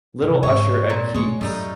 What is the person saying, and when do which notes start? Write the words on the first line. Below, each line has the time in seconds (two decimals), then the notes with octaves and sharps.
Little usher at Keith's.
0.22 C3
0.43 G#2 C4 C#5
0.90 A#2
1.14 B2 G#3 A3 C#5
1.41 F#2 A2 G3 C#4 D#4